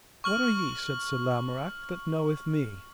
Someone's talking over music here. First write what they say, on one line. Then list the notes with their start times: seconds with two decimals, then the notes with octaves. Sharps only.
What are ye, said Sir Lamorak, that knoweth me?
0.24 C#6 F6 F#7